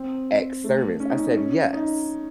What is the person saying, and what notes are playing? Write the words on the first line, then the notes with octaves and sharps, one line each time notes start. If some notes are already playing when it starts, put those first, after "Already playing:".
X service." I said, "Yes,
Already playing: C4
A3
C#4
D#4
C#4
D#4
C#4
D#4